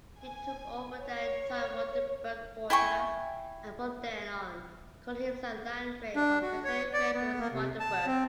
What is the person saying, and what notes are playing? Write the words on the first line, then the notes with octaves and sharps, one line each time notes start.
He took over the entire Rotenburg Quarter and from then on called himself Landgrave of Hesse-Rheinfels-Rotenburg.
G#5
C#5
E4 G5 G#5 C#6
D4
F#4
C#5
D5
B3
A#3
C3
A5
C4